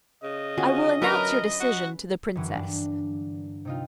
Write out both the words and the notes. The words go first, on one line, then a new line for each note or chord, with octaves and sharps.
I will announce your decision to the Princess.
C#3 D#5
D3 C#4 F4 F#4
F#3 D4 A#4 B4 C#5 E5 A#5
F#4
F#2 D3 E3 F#3
G2 D4
C3 D#4 F4